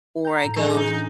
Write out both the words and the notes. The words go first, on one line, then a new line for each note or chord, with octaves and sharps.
Or I go s
A#5 G6
A2
E3 G#3 C#4 D4
D#4 F#4